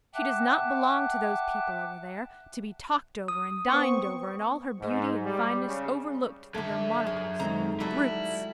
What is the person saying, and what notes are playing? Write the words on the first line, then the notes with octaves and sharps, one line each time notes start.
She does not belong to those people over there, to be talked over, and dined over, and all her beauty and fineness overlooked through their monocles--brutes!
E5 F#5 G5 A5 D6 F#6
D#6
B3 C4 C#6
G#2
G3
C#3
F#2 D3 A4 E5 G#6
G#4
D#3 G#3 C4 D#4 A4 A#5
F#3 G3 A3 E4